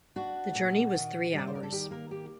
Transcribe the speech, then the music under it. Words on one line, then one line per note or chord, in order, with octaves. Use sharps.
The journey was three hours.
D4 F#4
A#2
D#3
G3
D5
C5
A#4
A4
D#3 G4
A#3 A#4
A#3 G4